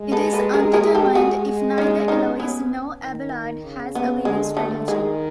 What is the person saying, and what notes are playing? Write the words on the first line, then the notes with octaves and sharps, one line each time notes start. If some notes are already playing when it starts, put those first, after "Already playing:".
It is "undetermined" if neither Eloise nor Abelard has a winning strategy.
Already playing: G#3
A4 B4
A4 B4
G#4 A#4
G#4 A#4
G4 A4
G#3 F#4 G#4
C#4 D#4
C#4 D#4
B3 C#4
D#3
C#3
B3
D3 G#3
A3
D#3 G#3